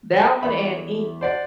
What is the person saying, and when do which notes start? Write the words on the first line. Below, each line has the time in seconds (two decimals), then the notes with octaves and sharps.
That one and Ink,
0.43 E2 E5 B5
1.21 C5 D5 F#5